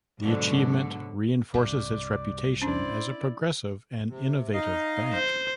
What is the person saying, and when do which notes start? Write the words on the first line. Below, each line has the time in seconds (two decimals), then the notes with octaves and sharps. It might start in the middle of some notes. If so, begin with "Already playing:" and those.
The achievement reinforces its reputation as a Progressive and Innovative bank.
0.21 G#2 B2 D3 F#3
1.54 C2 G2 D5
2.62 C#4 D4 E4 C5 D5
4.08 C3
4.53 D#4 D#5 F5
5.13 C5